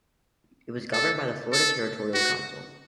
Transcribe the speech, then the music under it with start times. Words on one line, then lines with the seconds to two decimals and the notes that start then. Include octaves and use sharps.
It was governed by the Florida Territorial Council.
0.93 A4
1.53 A4
2.14 F#4